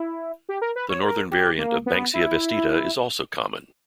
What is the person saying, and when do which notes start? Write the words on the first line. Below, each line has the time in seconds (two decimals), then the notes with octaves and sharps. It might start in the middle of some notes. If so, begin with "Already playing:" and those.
The northern variant of "Banksia vestita" is also common.
Already playing: E4
0.49 G4
0.62 A#4
0.76 B4
0.89 C#5
1.04 A#4
1.31 G4
1.58 A#3
1.86 B3
2.14 E4